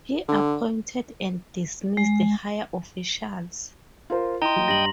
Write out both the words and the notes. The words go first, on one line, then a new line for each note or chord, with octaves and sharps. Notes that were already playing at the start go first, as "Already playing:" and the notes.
He appointed and dismissed higher officials.
D3
G#3
F4 A#4 C5
E4 D#5 G5 A#5 C6
F#3 A#3
G2 A#6 F#7